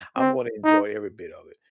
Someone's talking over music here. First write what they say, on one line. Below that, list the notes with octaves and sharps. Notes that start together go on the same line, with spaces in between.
I'm gonna enjoy every bit of it
C4
D#4